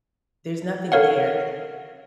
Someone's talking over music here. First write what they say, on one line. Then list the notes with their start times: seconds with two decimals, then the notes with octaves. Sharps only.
there's nothing there.
0.92 A4 A#4 C#5 F5 F#5